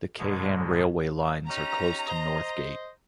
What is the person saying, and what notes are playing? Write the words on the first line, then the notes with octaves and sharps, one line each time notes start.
The Keihan Railway Lines are close to north gate.
G#2 B2 D3 G#3
C#4 D#4 G4 A#5
C5 D#5